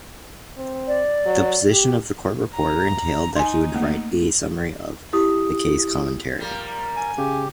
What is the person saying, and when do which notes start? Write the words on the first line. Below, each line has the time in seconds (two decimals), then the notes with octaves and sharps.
The position of court reporter entailed that he write a summary-of-the-case commentary.
0.57 C4
0.87 D5
1.26 F#3
1.72 G4
2.55 A#5
3.36 D#4 G#5 C6
3.74 A3 A#3
5.13 E4 G4 D#6
6.38 F3 G3 A#3
6.97 G#5
7.18 C#3 G4